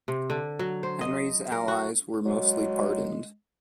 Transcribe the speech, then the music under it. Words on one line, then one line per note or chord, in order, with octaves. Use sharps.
Henry's allies were mostly pardoned.
C3
D3
F#3
C5
D#5
A#4
F#4
F#3 G#3